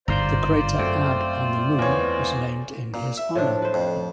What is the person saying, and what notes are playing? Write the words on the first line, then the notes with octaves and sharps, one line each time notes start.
The crater Abbe on the Moon was named in his honour.
G1 G#2 F4 C5 D5 A#5 C6 G6
F#2 A3 C4
E2 C#5
A#2
E5
A2 F3 D4
B4 C5
F2